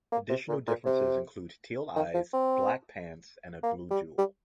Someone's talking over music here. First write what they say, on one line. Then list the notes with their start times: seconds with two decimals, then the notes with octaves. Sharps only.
Additional differences include teal eyes, black pants, and a blue jewel.
0.12 A#3
0.29 C3
0.49 A#2
0.67 A#2
0.86 C3
1.96 D#3
2.14 F3
2.33 C4
3.63 A#3
3.91 G3
4.18 G3